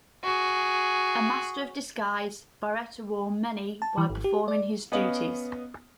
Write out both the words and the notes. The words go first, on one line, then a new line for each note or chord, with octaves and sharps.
A master of disguise, Baretta wore many while performing his duties.
F#4 G#4
A5
E3
G#1
G4
D5
B3 C#4 D#5 F5 F#7